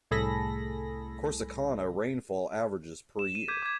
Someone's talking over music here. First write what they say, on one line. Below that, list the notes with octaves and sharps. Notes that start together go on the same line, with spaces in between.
Corsicana rainfall averages per year.
C2 A2 G#4 A4 B5 A#6
E7
D#7
D6 G6 G#6 B6 D#7 E7
D6 G#6